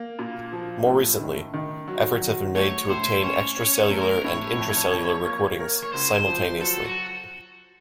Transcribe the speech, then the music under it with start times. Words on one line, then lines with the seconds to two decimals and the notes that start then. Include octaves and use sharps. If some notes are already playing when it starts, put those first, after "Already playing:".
More recently, efforts have been made to obtain extracellular and intracellular recordings simultaneously.
Already playing: A#3
0.19 A#2
0.53 F3
0.86 A2
1.20 D#3
1.54 D#3
1.88 F#3
2.21 F#3
2.55 A3 C#5
2.89 A2 C5
3.23 C#4 C#5
3.57 C#4
3.91 A3 A#4
4.24 A2 C#5
4.59 F2
4.92 F2
5.26 A#3
5.60 A#4
5.83 C#5
5.93 C#2 C5
6.27 F3
6.61 F#3 A4
6.84 F#4